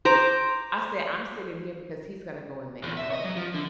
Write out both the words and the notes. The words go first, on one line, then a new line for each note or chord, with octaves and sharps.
I said, "I'm sitting here because he's gonna go and make my plate."
C5 A#5 D6
E2 A#2
E5
C#5 D#5
F#3
F3
D3